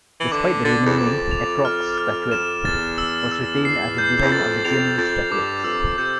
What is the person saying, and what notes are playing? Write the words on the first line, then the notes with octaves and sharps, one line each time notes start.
Despite the renaming, Etrog's statuette was retained as the design of the Genie statuettes.
E3
D3 D6
D3 A6
E2
F2 D6
F7
F6
F6
F2 E7
E2 A6
E6
E6
C7
G6
E2
F2 A6
F2 F7
F2 A6
G2 D6
F2 E6
C3 G6